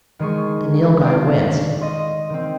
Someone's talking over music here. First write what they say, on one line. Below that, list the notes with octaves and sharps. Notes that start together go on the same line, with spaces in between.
The Nilghai winced.
D#3 G#3 G#4 C#6
D5 F5
D#5 C6
D#3 C4